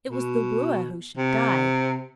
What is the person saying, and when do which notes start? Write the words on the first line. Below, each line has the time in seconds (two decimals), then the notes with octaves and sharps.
It was the wooer who should die.
0.09 B2
1.17 C3